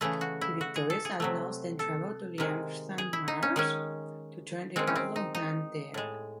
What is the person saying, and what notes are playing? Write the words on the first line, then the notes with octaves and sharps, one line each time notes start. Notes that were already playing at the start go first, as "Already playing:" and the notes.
The victorious outlaws then travel to Liangshan Marsh to join the outlaw band there.
C#3 E3 A3 G#4
F#4
E4
F#4
G#4
A4
G#4
C3 F#3 A3
A4
C3 D#3 G#3
G#4
E4
D#4
C#4
D#3 G#3 C#4
D#3 G#3 C4
C#4
C4
D#4
D#4
A2 G#3